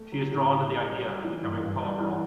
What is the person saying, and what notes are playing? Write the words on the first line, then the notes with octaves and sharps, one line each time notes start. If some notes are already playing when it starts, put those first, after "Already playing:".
She is drawn to the idea of becoming a call girl.
Already playing: A3
F#3
A2
C#4
A3
F#3
G3
E3
G2
G2
G3
E3